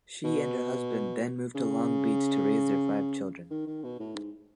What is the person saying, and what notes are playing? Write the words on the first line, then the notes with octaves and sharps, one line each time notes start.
She and her husband then moved to Long Beach to raise their five children.
B2
C#3
D#3
D#3
B2
A2
G#2